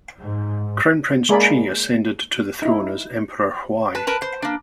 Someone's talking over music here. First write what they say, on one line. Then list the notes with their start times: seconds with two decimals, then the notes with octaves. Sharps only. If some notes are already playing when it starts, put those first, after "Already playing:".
Crown Prince Chi ascended to the throne as Emperor Huai.
0.19 G#2
1.29 G#3 A#3 G#4 A#4 D5 B5
2.62 D#4 E4
3.95 B4 A5
4.07 A#4 B4 A5
4.22 C5
4.42 A#3 D4